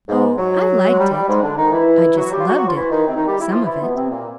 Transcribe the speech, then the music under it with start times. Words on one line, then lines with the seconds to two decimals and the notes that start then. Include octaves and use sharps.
"Oh, I liked it--I just loved it--some of it."
0.08 G#2 G#3
0.38 F#3
0.90 G#3
0.99 G3
1.12 G3
1.28 G#2 G#3
1.42 D3 D4
1.57 D#3 D#4
1.72 E3 E4
2.17 F#3 F#4
2.32 G3 G4
2.39 F4
2.47 F#3 F#4
2.57 F#3 F#4
2.67 F3 F4
2.76 E3 E4
2.91 D#3 D#4
3.07 C3 C4
3.16 D#3 D#4
3.27 G3 G4
3.40 E4
3.51 F3 F4
3.65 E3 E4
3.81 B2 B3
3.95 C3 C4
4.11 A#2 A#3